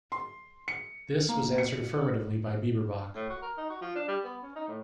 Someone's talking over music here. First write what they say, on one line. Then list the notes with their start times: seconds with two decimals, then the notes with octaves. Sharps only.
This was answered affirmatively by Bieberbach.
0.12 C6
0.68 C#7
1.28 A#3
1.58 C#7
3.15 A2
3.30 F#4
3.42 A#4
3.57 D#4
3.70 F#4
3.81 F3
3.95 D4
4.08 G3
4.24 B3
4.42 C#4
4.55 D#4
4.68 A2